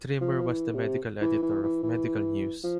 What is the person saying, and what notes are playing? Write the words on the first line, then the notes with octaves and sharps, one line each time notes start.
Trimmer was the medical editor of "Medical News".
F3
E3
C3
E3
E3
E3
E3
F3